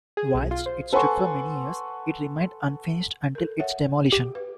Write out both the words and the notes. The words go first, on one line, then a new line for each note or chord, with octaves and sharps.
Whilst it stood for many years, it remained unfinished until its demolition.
G#4
B1
F4
C5
A4 B4 F#5 G#5 C6 C#6
A4 A#4
C#5 E5 F#5
G4 D6
B4